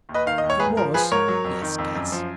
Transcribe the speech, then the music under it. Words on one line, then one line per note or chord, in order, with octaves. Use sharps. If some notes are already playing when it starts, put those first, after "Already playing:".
It was--yes, guess!
D#2
B4 D#5
D#3 F5
D#5
D#2
C#5
G#2 G#4 B4
F3 A#4
F3 G#4 B4
G#2 A#4 C#5
F#3
F2
D#3
F2
F#2
F3